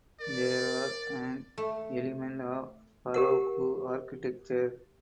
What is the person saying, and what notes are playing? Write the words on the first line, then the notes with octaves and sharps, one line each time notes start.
They are an element of Baroque architecture.
A#4 D5
A3
G4 A#4 F#5